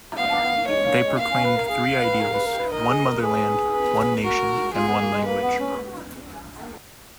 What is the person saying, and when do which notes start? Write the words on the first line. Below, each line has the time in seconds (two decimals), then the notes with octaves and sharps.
They proclaimed three ideals, one motherland, one nation and one language.
0.17 B3 F5
0.29 B3
0.43 B3
0.55 A#3
0.67 G#3 C#5
0.84 A#3
1.02 G#3
1.19 A#3 F5
1.31 C#4
1.44 B4
1.56 A#4
1.69 G#4 F5
2.03 B4
2.20 A#4
2.33 B4
2.45 A#4
2.58 B4
2.70 A#4 D#5
2.88 G#4
3.05 A#4
3.21 G#4 B4
3.73 B4
4.24 F#4 A#4
4.75 F4 G#4
4.87 B3
5.00 A#3
5.13 G#3
5.25 A#3 B4
5.42 B3
5.59 C#4